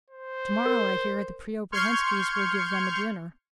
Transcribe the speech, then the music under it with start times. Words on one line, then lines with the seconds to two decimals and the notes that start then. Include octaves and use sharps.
"Tomorrow, I hear, the Preobrazhenskis will give them a dinner."
0.10 C5
0.66 A#4
1.72 C6 C#6 F6 G6 G#6 C#7